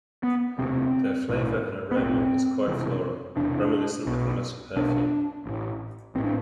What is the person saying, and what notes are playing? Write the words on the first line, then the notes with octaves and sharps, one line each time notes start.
Their flavour and aroma is quite floral, reminiscent of musk perfume.
B3
E1 D2 C3 C4
B1 A2
B3
B1 A2 C4
E1 E2 C3
E1 E2 C3 D4
B1 B2
B1 B2 D4
A1 A2
A1 A2 C4 D4